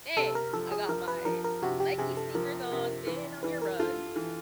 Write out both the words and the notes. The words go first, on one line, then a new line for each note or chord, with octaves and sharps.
"Dang." I got my Nike sneakers on, standing on your rug,
C3 A4
A#4
F3 A4
G#4
F3 A#4
B4
F3 A#4
A#4
C3 F#4
G4
C3 G#4
A4
F3 A#4
C3
E3 B4
E3 B4
A#4
F4 A4
E3